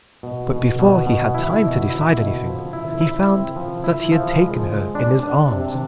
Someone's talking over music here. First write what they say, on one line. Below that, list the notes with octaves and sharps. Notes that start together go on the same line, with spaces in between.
But before he had time to decide anything he found that he had taken her in his arms.
B2
B2
B2
B2
E4
B2
E4
B2
F3
E4
E4
C4
F3
E4
F3
G#3
G#3
D4
D4
C3